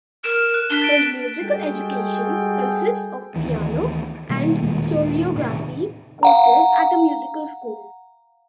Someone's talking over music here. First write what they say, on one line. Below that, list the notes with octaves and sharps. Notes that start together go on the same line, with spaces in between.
His musical education consists of piano and choreography courses at a musical school.
A#4 E7
F#6
D4 B6 G7
A6 D7
G3 G#3 F#4 G#4 A4 G5
D2 D#3 E3
B2 D#3 G3 A#3
D#2 A#2 D#3 G#3
A2 C3 D#3
F5 F#5 A#5